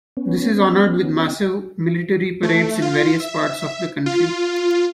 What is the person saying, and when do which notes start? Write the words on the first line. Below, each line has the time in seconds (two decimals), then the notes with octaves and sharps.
This is honored with massive military parades in various parts of the country.
0.17 B3 C#4
2.43 A3
2.82 F4
3.20 E5
4.06 F4